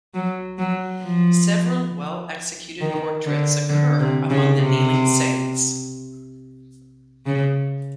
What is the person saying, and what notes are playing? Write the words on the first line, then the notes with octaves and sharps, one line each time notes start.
Several well-executed portraits occur among the kneeling saints.
F#3
F#3
F3
D#3
D3
D3
C3
C#3
C3
C#3